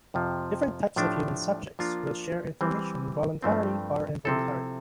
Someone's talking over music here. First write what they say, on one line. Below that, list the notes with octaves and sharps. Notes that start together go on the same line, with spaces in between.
Different types of human subjects will share information voluntarily or involuntarily.
F2 C3 F3
A2 F3 A3 D4 G4
F3 A#3 D4 F4 A#4
E3 G3 C4
G2 F3 A3 C4
C3 F3 C4 E4 A4